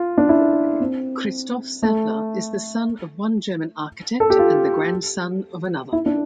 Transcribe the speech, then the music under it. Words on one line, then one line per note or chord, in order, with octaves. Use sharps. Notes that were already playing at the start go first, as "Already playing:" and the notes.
Christoph Sattler is the son of one German architect and the grandson of another.
Already playing: F4
D4
E4
C4
A3
A4
G4
F4
E4
D4